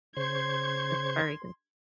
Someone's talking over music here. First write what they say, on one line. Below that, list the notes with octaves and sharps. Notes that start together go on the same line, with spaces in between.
That's very good.
C#3 C5 C6 C#6 G#6